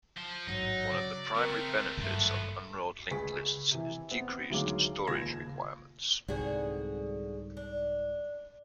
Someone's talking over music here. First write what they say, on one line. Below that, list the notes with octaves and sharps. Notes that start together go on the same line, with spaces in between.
One of the primary benefits of unrolled linked lists is decreased storage requirements.
F3
A1 G#2 F#3 D#4
C#3 D5
G#3 A3 C4 A#4
G#1 G2 F3 F#3 A3 B3
C#2 G#4 B4 C#6 B6
C3 E3
B3 C4
D2 D#3 F#3 G#3 F5 D6
D#1 C#2 F4 G#6 A#6 E7
C2 G#2 D3 G3 F#4 G#4
D4